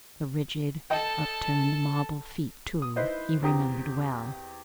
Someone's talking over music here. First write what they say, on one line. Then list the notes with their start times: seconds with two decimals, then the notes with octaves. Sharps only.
The rigid, upturned, marble feet too, he remembered well.
0.90 A4 D#5 G5 A5
2.82 D#6
2.96 D#4 E4 B4 C5 D#5
3.42 E2 C4 G4 A#5 D#6